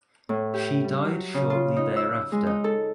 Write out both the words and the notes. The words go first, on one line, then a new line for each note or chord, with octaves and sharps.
She died shortly thereafter.
A2
G4
G3
F#3
C#3
F4
D#4
E6
G#3
D#4
A4